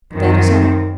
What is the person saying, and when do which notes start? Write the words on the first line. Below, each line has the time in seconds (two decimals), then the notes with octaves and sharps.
But that is all.
0.14 F#2 D#3 C4